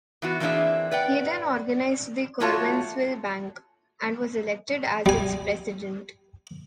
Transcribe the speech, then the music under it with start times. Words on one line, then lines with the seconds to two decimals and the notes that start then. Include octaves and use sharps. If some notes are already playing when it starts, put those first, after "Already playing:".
He then organized the Curwensville Bank, and was elected its president.
0.22 E3 B3 F#4
0.40 E3 A#3 C4 D4 G#4 E5
0.91 B4 D5 F#5 G5
2.40 A3 A#3 F4 F#4 C#5 A5
5.06 G3 G#5